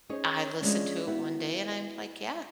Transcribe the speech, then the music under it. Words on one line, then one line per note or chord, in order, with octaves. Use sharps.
I listened to it one day and I'm like, "Yeah,
C#4 D#4 G#4 C5 C#5
F3 G#3 C#4 D4
B3 E4 F#4 G4